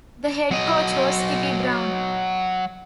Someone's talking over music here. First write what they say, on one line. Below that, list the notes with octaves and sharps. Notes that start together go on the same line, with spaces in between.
The head coach was Kippy Brown.
F#3 D#5